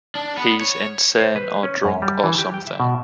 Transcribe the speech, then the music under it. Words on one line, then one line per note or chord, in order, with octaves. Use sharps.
He's insane or drunk or something.
D4
B3
C#5
C5
B4
C#4
F#2
G3
E3
G4
G5
E5
B2